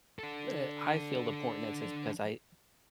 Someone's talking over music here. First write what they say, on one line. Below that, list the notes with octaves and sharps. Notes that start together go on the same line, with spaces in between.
the, uh I feel the importance is is because I
D4 A4